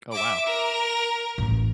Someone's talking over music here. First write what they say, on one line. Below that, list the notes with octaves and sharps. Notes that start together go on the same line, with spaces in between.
Oh, wow.
E5 D6
A#4
A1